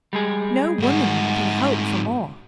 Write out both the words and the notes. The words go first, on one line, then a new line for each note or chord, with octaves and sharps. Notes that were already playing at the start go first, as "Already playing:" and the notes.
No woman can hope for more.
G3 G#3 G#4
G#2 F#4